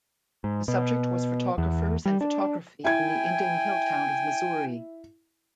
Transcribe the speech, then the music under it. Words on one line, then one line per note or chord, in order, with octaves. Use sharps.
The subject was photographers and photography in the Indian hill town of Mussoorie.
G#2
B2
E2
G3
D4
E4 G5 G#5 G#6